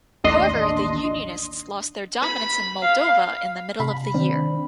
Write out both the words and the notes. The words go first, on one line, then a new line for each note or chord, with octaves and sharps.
However, the "unionists" lost their dominance in Moldova in the middle of the year.
A1 D#2 D4 D#5 C6
B5
F5
C3 B5
D#3 C4 D4